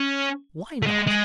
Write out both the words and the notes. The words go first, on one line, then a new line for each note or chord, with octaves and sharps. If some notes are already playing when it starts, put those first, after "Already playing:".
"Why not?"
Already playing: C#4
A3
G#3
G#3